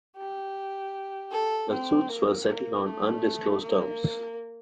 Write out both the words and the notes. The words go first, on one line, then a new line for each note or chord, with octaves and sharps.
The suits were settled on undisclosed terms.
G4
A4
C4
A#3
A#3
A3
A#3